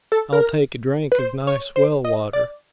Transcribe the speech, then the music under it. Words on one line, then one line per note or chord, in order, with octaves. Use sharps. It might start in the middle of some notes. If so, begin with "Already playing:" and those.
I'll take a drink of nice well-water.
A4
A#4
B4
C5
C#5
C5
D#5
D5